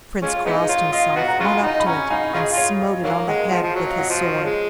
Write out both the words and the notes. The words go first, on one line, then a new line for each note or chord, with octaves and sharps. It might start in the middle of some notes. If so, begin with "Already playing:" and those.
The Prince crossed himself, went up to it, and smote it on the head with his sword.
G#3 C#4 F4 C#5
G#3 B3 D#4 D#5
F4 C#5
F4 D#5
D#5
B3 D#4 F#4
F#5 A#5
G#3 C#4 F4
G#5 B5
D#4 F#5 A#5
B5
C#4 F#5 A#5
D#4 F5 G#5
C#4 F4 G#4 D#5
F4
C#5
D#5
D#3 F#3 A#3 C#5 F5
G#3 D#5 F#5
F3 D#5 F#5
F3
F#3 C#5
D#5
F5
D#5 F#5
F3
D#5
G#3 C#5